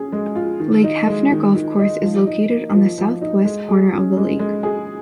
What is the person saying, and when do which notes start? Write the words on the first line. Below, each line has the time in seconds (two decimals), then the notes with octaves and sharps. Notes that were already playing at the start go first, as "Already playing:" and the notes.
Lake Hefner Golf Course is located on the southwest corner of the lake.
Already playing: C#4 G#4
0.12 G#3
0.35 F4
0.60 D#3
0.84 D#4
1.07 G#3
1.31 D#3
1.55 D#3
1.79 D#4
2.03 F3
2.27 D#4
2.50 A#3
2.74 F3
2.98 F3
3.22 D#4
3.45 G#3
3.68 G#4
3.92 C#4
4.17 G#3
4.39 G#3
4.63 G#4